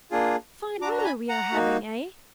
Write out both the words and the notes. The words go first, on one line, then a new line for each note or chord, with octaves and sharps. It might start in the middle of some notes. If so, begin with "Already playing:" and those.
Fine weather we are having, eh?
A#3 D4 F4 G#4
D4 F#4 A#5 D6
A#5
G#5 B5
F#5 A#5
A#3 D#4 F#4